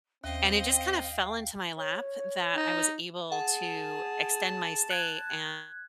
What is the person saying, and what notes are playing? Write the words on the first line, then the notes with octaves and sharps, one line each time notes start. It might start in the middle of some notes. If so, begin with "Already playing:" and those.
And it just kind of fell into my lap that I was able to extend my stay and
D#2 C4 D#5 F5 G5
C#5
D#4
G#4 F#5 A5
F#6 G#6